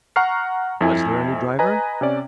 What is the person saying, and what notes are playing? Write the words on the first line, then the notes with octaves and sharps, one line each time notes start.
Was there any driver?
F#5 A#5 C#6 F6 C7
F2 E4 G#5
B4 D#5 G#5 A#5
C3 C#4 D5